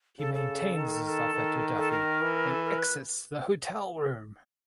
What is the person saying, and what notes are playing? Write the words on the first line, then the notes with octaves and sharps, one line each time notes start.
He maintains his offer to Duffy and exits the hotel room.
C#3 A4
A4
D#3
A#4
A4
D#3
A4
A#4
E3
A4
A#4
B4